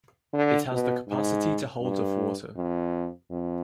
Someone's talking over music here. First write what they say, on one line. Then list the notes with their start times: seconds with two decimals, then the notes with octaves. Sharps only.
It has the capacity to hold of water.
0.34 D3
0.71 B2
1.08 G#2
1.82 G2
2.56 F2
3.31 F2